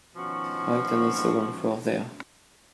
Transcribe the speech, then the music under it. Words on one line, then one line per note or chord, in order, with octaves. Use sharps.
Right on the second floor there.
B2 D#3 F3 C#4 F#4